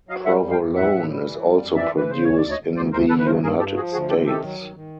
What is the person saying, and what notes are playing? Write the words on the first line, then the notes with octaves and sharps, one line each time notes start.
Provolone is also produced in the United States.
F#3 D#5 F5
G3 E5 F#5
F2
F5 G5
F2
A2 E5 F#5
A2
G3
E3
G3
F2
E3 D5 E5
E3 B4
C#3 C5
D2 C#5
D5
D2
C#5 D#5
D2
D2 C5 D5
D2 A#4 C5
D2 A4 B4
B4
G2 A#4 C5
G2 G#4 A#4
G2 G4 A4
F3 F#4 G#4
D2 F#4 G#4
C3 G4 A4
D#3 G4 A4
F#3
D#3
D#3